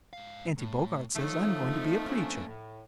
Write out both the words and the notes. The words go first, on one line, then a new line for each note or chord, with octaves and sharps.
Auntie Bogart says I'm going to be a preacher.
G#2 F5
A2
E3 F3 A3 D#4 C#5
A#3 C4
C#4 D4
A2